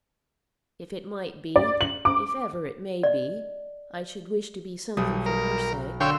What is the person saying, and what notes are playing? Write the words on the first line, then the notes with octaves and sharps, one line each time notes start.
If it might be,--if ever it may be,--I should wish to be something for her sake.
D5
F#7
D6
D5 D#5
B1 G3 D#6
A#4
D3 D4 C#5 F5 G5 C6 E6